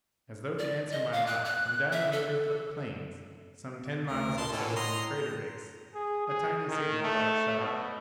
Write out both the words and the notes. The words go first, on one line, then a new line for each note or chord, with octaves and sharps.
As though to answer my lie, from down on the Earthlit plains, some ten miles or so from the crater base, a tiny signal light shot up.
D5
D#5
F5
F#6
F#6
E5
A4
D2 A#4
B2 A5 C6
A2 D3 E3 C#4
D#5 A#5 C6
G#4
G#4
D#3
A3
B2